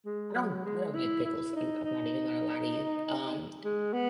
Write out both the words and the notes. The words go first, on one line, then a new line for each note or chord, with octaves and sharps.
I don't, I don't like pickles. I'm, I'm not even gonna lie to you. Um,
G#3
F#3
G#3
E4
E4
D#4
D#4
G#3
B3